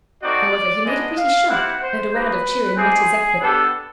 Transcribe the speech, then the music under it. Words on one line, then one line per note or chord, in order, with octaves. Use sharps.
However, he made a pretty shot, and a round of cheering met his effort.
A3 C4 D#4 F#4 D5
G#3 B3 D4 D#5
F5
C4 E4 G4 F#5
C5
A#3 D#4 G4 B4
C4 E4 G4 G#4
B3 D4 G4 A4